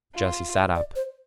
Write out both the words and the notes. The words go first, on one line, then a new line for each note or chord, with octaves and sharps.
Jesse sat up.
F4
E5
D5
C5